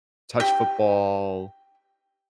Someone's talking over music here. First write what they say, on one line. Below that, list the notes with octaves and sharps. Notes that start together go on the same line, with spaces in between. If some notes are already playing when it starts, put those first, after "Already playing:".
touch football,
G4 G5